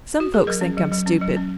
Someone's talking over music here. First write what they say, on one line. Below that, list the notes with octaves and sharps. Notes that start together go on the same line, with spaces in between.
Some folks think I'm stupid.
F#4
G#4
F#3 A#4
C#4
F#3
F#3
C#4
F#3
C#4